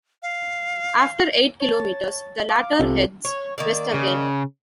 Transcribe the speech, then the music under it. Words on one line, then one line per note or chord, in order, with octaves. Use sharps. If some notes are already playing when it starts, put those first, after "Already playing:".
After eight kilometres, the latter heads west again.
F5
C#5 A5 A6
F5 D6
C2 C3 F4 A4
C#5
D#3 A#3 D5
C#3